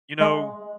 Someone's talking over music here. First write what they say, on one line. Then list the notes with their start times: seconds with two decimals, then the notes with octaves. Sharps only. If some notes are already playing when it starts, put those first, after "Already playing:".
you know
0.21 G#3